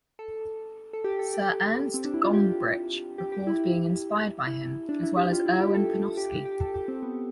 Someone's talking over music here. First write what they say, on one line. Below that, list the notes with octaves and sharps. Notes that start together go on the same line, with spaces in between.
Sir Ernst Gombrich recalled being inspired by him, as well as Erwin Panofsky.
A4
A4
G4
A4
G4
C4
D4
E4
F4
G4
G4
G4
E4
E4
D4
E4
G4
F4
E4
G4
A4
G4
G4
G4
A4
G4
C4
B3